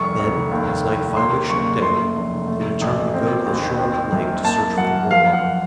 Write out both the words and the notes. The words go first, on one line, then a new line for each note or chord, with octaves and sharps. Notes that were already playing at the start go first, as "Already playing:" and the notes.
Then, as night finally shut down, they determined to go to the shore of the lake to search for the war-party.
Already playing: F1 C2 C#6
F1
D#2
D#2
A#3 C6
F#1 C#6
A3 C6
F1
A3
A1
C4
D#2
C4
F#2
A#3 A5
F#2 F#5
F3 F5
F#5